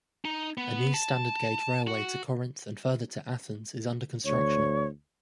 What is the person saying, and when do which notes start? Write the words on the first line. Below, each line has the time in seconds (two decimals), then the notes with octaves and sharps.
A new standard gauge railway to Korinth and further to Athens is under construction.
0.25 D#4
0.57 B3
0.94 A5
1.87 F#4
4.25 D2 C#5